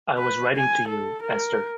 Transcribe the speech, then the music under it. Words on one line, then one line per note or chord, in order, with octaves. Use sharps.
I was writing to you, Esther.
B4
G#5
A4
A#4